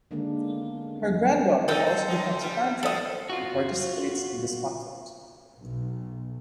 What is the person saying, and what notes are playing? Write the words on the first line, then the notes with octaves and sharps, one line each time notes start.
Her granddaughter also becomes a time-traveler and participates in this conflict.
D3 D#3 G#3 A#3 D4
D#3 F3 D#4 A4 G5
C5
F#2 F3 D#4
G3 B3
F3 B3 F#4 A4 D#6
F4 F#4
B1